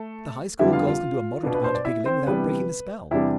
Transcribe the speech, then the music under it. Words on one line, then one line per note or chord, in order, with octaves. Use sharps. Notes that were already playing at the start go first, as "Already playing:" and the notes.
The high-school girls can do a moderate amount of giggling without breaking the spell.
Already playing: A3 A4
F2 D3 G3 B3 D4 E4 E5
F4 F5
F4 F5
B2 B3 D4
B4
C5
D5
E4 E5
C4 C5
C3 E3 G3 B3 D4 B4
E2 C3 G3 D4 E4